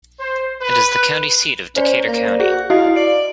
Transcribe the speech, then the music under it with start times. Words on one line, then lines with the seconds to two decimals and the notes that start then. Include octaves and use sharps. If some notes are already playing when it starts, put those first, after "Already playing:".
It is the county seat of Decatur County.
0.19 C5
0.61 B4
1.76 C#4 C5 D5
2.08 A#3
2.40 F#4 G#4
2.70 E4 F#4 D#5 F5
2.96 D5 D7